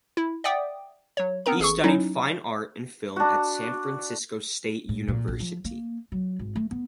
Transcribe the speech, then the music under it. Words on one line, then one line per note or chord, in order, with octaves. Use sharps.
He studied fine art and film at San Francisco State University.
E4
D5 E5 F#5 G5 D6 D#6
F#3 C#5
B3 C4 A#4 A#5
A1 G#4 A4 C#6
F#3 C#4 D#4 E4
D4 F#4
A2
A#2
A#1
F3
A#3
F#3
G#1
A3
B3